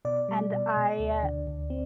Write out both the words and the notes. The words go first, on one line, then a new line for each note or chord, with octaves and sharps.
and I
B2 D5
G3
B2
B2
D2
D3
D2
C4